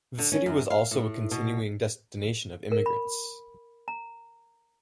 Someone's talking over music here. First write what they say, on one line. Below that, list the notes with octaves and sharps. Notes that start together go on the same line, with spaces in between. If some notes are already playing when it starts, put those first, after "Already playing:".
The city was also a continuing destination of immigrants.
D3
C#4
F#2
F5
A2
B2
A#4
B5
A#5